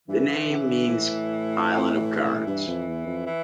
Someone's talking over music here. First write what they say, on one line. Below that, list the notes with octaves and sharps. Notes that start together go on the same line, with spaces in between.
The name means "island of currents".
G2 E3
C#3
D3
A2
G2
F2
E2
F2
E3